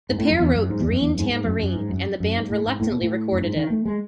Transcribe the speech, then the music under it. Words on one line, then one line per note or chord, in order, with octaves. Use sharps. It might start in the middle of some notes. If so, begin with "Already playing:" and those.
The pair wrote "Green Tambourine" and the band reluctantly recorded it.
G#2
A2
F#2
E2
F#2
G#2
E2
F#2
E2
F#2
G#2
G#2
F#2
F#2
G#2
F#2
F#2
G#2
A2
G#2
A2
B2
A2
F#2
G#2
D#3
A3
G#3